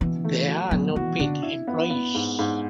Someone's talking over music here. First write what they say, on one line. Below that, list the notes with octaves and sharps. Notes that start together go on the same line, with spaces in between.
There are no paid employees.
B2 E3
A3
F#4
B2 F#3
E3 F#4
D3 D4
E4
B3
B3
G#2
G#2